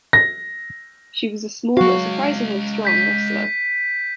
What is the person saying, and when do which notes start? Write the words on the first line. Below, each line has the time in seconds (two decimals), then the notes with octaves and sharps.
She was a small but surprisingly strong wrestler.
0.13 A#6
1.77 F#3 G#3 F#4 F5
2.85 G6 B6 D#7